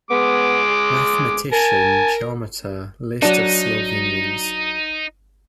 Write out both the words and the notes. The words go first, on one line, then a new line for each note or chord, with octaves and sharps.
Mathematician, Geometer, List of Slovenians.
G#3 B3 D6
G#4
A#4 G#5 A5
F#3 D4 D#4